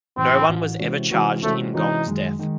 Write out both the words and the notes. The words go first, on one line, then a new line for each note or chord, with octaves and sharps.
No one was ever charged in Gong's death.
A1 A2 F#3 C4
A1 A2 F#3
C3 E3 G#3 C#4 F#4
C3 E3 F#3 G#3 C#4 F#4
C3 E3 G#3 A3 C#4 F#4
C3 E3 G#3 C#4 D#4 F#4
F#2 D#3 G#3
D#3 G#3